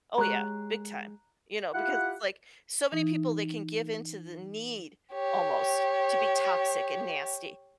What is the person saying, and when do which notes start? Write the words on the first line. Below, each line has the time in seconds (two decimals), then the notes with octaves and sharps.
Oh, yeah. Big time. You know, because it's like, so many people, they can give in to the need almost to be toxic and nasty.
0.18 G#3 G4 C#5 A#5 F#6
1.74 E4 F4 G4 F#5
2.92 E3 D#4
5.13 G4 C#5